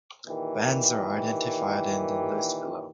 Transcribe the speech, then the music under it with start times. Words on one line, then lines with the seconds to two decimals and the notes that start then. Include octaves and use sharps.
Bands are identified in the list below.
0.27 A#2 D#3 E3 G4